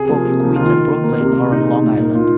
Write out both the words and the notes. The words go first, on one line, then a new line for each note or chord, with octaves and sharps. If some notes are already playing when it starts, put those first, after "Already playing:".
Both Queens and Brooklyn are on Long Island.
Already playing: C3 G#4
F3 A#3
C3
F3 A#3
D#3 F4
A#3
D#3
A#3
C3
G#3
C3 D#4
G#3
A#2
A#3
A#2 F4